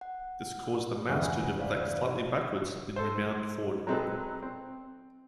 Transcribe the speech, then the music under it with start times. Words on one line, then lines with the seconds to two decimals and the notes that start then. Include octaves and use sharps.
This caused the mast to deflect slightly backwards then rebound forward.
0.01 F#5
1.09 E2 G2 C#3 E5 F#5 G#5
1.59 C5 D5 F5
2.96 A4 C5
3.87 F#3 G#3 C4 D#4 A4 B4
4.43 C4